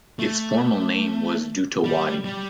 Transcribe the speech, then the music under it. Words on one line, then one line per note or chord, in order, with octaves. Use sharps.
Its formal name was Dutawadi.
A3
G3
G3